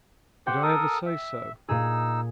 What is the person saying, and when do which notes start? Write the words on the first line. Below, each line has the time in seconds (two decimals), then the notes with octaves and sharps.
"Did I ever say so?"
0.47 G4 C5 F#5 G5
0.63 A4 A#4 D#6
1.06 E5
1.69 A#2 D#4 G#4 E6